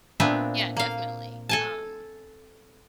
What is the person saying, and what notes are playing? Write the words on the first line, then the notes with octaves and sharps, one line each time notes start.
Yeah, definitely. Um,
A#2 B3 C4 D4 B4 E5
A#3 F5
A4 G#5 A5